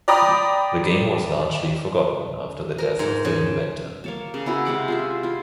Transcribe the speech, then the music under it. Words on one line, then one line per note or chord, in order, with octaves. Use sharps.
The game was largely forgotten after the death of the inventor.
D5 G5 A#5 B5 D#6
A#4
G#2
C#3
A#3 C#5 A5
C#3
C#4 E4 F#4 B4
C3 G#3 F#5 D6
F4 G#4 E5
E4 F4